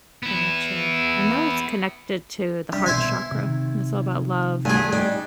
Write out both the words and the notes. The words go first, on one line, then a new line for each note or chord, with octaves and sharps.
Gotcha. I know it's connected to the heart chakra. It's all about love.
B3 E4
G3 D4 E5
B2 D#3 E4 C5 G#5
C3 D#3
G2 G3 A3 G#4 G#5
G3 D4 D#4